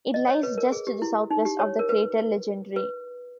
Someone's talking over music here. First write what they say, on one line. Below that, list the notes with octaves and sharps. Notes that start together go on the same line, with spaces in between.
It lies just to the southwest of the crater Legendre.
D#5
C#5
B4
A#4
G#4
G4
E4
D#4
G4
C#5
A#4
B4
B4